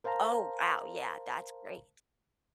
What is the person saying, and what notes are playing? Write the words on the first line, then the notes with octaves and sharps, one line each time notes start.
Oh, wow, yeah, that's great.
A#4 C5 F5 A5 A#5